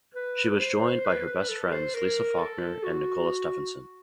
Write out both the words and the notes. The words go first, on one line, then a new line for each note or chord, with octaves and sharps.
She was joined by her best friends Lisa Faulkner and Nicola Stephenson.
B4
C5
B4
B4
A4
C5
A#4
A4
F#4